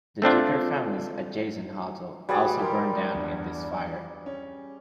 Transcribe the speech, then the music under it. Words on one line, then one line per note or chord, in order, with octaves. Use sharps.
The Dicker family's adjacent hotel also burned down in this fire.
A3 C4 D4 F4
G3 F#4 G#4 B4 D5
G4 A#4 C6
E2 G2
C#4